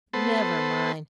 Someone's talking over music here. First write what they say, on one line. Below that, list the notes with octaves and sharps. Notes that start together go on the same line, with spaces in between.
'Never mind.
B3 A4 C5